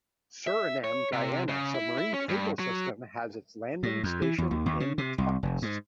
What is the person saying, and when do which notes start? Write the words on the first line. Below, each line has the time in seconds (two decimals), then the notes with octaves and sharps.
The Surinam-Guyana Submarine Cable System has its landing station in Totness.
0.47 E5
0.84 C#5
1.13 C3
1.49 C#3
1.74 E4
1.98 E4
2.14 C#4
2.29 G2
2.60 F#3
3.83 A2
4.03 F2
4.22 E3
4.38 E2
4.51 D#2
4.66 D#2
4.80 C#3
4.98 C3
5.18 C2
5.43 F1
5.62 G#2